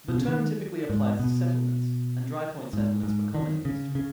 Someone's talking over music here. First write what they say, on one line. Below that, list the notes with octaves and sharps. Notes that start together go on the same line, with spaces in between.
The term typically applies to settlements, and dry point settlements were common in history.
B2
C#3
D#3
G#2
B2
G#2
G#2
D#3
C#3
C#3